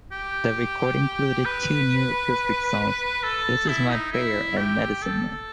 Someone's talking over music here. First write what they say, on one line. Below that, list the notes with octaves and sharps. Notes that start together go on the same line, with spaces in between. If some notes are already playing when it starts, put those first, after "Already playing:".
The record included two new acoustic songs, "This Is My Prayer" and "Medicine Man".
G4
B4
A4
E4
D#4
E4
G4
A4